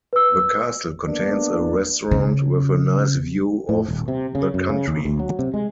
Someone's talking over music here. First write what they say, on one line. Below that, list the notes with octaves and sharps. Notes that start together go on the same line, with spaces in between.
The castle contains a restaurant with a nice view of the country.
B4 E6
A#3 B3 D4
C#3
A2
D#1
C3
C#3
F#2
C#3
D#2
D2
F#3
C3
G#3